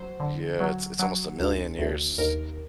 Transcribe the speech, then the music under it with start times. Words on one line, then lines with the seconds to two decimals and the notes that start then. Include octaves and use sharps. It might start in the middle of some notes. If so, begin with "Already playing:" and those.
Yeah, it's it's almost a million years.
Already playing: F#3 C5
0.20 D3
0.60 F#3
0.99 F#3
1.40 D2
1.79 D2
2.18 D#2 A#4